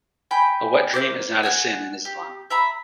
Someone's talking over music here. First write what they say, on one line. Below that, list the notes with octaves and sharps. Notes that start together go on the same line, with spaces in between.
A wet dream is not a sin in Islam.
G5 G#5 B5 G6
A#3 E4 C5 D6
F#4 F#5 G#5
G4
E5 A#5 B5